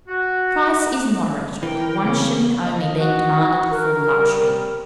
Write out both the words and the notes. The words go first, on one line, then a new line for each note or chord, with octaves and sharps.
The price is moderate, one shilling only being demanded for the luxury.
F#4
E3 A#4 G5
C#3 C4 C#4
D#5
F#4
A#4
G3